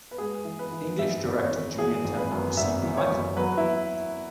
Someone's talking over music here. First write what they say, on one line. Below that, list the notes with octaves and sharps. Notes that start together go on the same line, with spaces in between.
English director Julien Temple received the Icon Award.
B4
G#3 G#4
E3
B4
E3
G#2 E5
G#1
C#5
E3
E3 G#4
G#1
B4
F#2
G#1 E5
E3
C#5
F#2
F#3 B4
E4